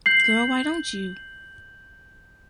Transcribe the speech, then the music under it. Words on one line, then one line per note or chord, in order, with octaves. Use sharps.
Girl Why Don't You?
G6 C7 F#7